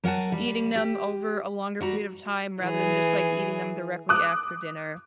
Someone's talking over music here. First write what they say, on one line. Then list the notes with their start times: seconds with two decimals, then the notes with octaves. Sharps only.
eating them over a longer period of time rather than just, like, eating them directly after dinner.
0.04 F#3 A#4 F#5 G#5 A5
0.32 G3
0.76 G4
1.81 G3 F#4 A#5
2.62 E3 G#4
4.09 D6 D#6 F#6